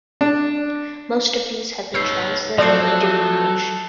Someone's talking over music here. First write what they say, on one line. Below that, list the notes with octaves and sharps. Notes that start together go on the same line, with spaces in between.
Most of these have been translated into English.
D4
D#4 B4 C#5 E6 G6 C7
F3 F#3 A3 C4 A4 D5 D6 C7
G4